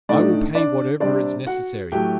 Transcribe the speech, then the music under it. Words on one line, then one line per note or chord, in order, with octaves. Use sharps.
I will pay whatever is necessary.
A2 A3 D4 D#4 D5
D4 D5
C3 G3 C4 D4 D5
F#4 F#5
A2 F#3 A3 G4 G5